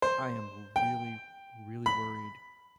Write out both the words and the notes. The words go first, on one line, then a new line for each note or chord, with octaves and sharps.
I am really, really worried
C5
G5
B5